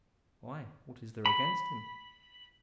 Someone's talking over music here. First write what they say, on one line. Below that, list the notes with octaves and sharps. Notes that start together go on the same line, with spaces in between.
"Why, what is there against him?"
B5